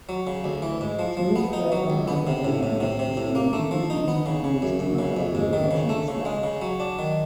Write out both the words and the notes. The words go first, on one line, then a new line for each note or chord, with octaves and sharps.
Smoothed-particle hydrodynamics is being increasingly used to model fluid motion as well.
F#3
C#3
D2
E3
G#2
F3
F3
B3
D#4
F#3
C#2
B3
C3
A2
A2
C3
C3
A2
A#3
A3
F3
D#4
B3
C#3
C#3
F#2
F#2
C#3
F2
G#2
D#3
C#3
A3
C#3
G#3
C#3
F#3
D4
D#3